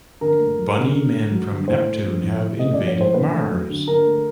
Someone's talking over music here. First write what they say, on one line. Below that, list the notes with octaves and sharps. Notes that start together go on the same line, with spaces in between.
Bunny men from Neptune have invaded Mars!
D3 A#4
A3
F#3
D3
D3
A3
F#3
D3
A2 C5
A3
F3
A2
A2
A3 D#5
F3 D5
C#5
A2 C5
D3 B4
A3
F#3
D3
D3 A#4
A3